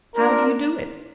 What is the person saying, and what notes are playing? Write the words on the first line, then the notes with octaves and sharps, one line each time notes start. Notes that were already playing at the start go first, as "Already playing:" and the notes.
How do you do it?
D4 F4 A#4